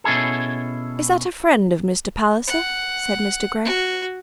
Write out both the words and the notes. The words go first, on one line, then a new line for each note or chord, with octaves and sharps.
"Is that a friend of Mr. Palliser?" said Mr. Grey.
B2 C#4 E4 G#4 A4
F#5
F#4